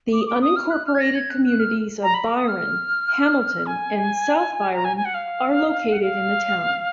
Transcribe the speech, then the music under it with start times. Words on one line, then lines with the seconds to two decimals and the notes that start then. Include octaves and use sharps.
The unincorporated communities of Byron, Hamilton, and South Byron are located in the town.
0.12 D6
0.21 D#6
0.26 D6
0.41 D#6
0.55 F6
0.70 F#6
0.86 F6
0.94 G#6
1.00 A#6
1.15 G#6
1.29 F#6
1.45 F#6
1.59 F6
2.02 A#5
2.13 B5
2.25 D6
2.36 D#6
2.48 F6
3.66 G#5
4.73 A#5
4.84 G#5
4.96 G#5
5.04 F#5
5.14 F5
5.92 F#5
6.02 F5